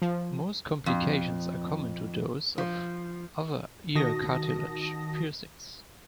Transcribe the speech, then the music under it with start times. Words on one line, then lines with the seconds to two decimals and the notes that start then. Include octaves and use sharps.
Most complications are common to those of other ear cartilage piercings.
0.02 F3
0.86 F2
2.58 F3
3.95 D#3 F#4 A5 D#6 A#6